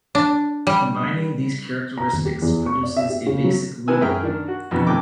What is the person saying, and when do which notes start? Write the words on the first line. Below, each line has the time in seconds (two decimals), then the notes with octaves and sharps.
Combining these characteristics produces a basic Weeble.
0.15 D4
0.67 G3
1.98 A#5
2.12 D#1
2.25 G4
2.42 E2
2.66 C#6
2.83 D5
2.97 E5
3.10 G4
3.27 C#3
3.44 F#3
3.88 C3 D#3 B3 B4 G#5 E6
4.01 F#2 G#4 A#4 E5 G5 F6
4.23 D#3 D4 A#4
4.48 F#4
4.71 F2 B2 D3 E3
4.87 D#2 C3 A3 G5 D6